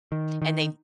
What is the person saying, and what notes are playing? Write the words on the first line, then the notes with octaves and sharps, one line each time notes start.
and they
D#3
D#3